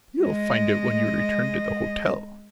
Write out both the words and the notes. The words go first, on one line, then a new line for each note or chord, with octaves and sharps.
You will find it when you return to the hotel.
G#3 D#5